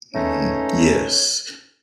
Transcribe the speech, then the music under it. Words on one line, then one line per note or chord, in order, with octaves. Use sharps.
Mhm, yes,
G#3 A3 C#4 D#4 B4 C#5